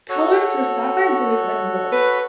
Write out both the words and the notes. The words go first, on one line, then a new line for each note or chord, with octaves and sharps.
Colors were Sapphire Blue and Gold.
F#4 A4 C#5
B4